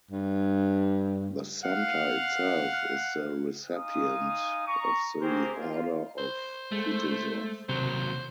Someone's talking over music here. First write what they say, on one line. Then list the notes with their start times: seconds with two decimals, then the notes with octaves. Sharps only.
The Center itself is the recipient of the Order of Kutuzov.
0.11 G2
1.64 F5 F#5
3.71 D#4 F5 G#5 D#6
4.67 A#5 C#6
5.22 A#3 C4 G4 G#4 A#4 C5
5.59 F4
6.19 C5
6.72 G#3 A3
7.69 D#2 C3 F#3 C5